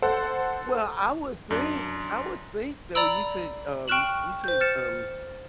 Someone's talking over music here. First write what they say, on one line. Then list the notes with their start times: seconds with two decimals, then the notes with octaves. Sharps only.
Well, I would think, I would think, though, you said, um, you said, um
0.02 A4 C5 F#5
1.50 F#2 D4
2.95 D5 A#5 B5 E6 D7
3.88 G5 C#6 F6 F#6 E7 F#7
4.44 C5 G6
4.61 F6 A6 C#7 E7